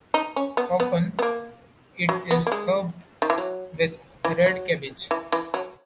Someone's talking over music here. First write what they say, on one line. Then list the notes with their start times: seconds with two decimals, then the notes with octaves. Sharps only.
Often it is served with red cabbage.
0.14 D#4
0.36 C#4
0.57 B3
0.80 B3
1.19 B3
1.22 A#3
2.09 F#3
2.31 B3
2.47 A#3
2.52 G#3
3.22 D#3
3.30 E3
3.38 F#3
4.25 E3
4.46 F#3
5.11 E3
5.32 E3
5.54 F#3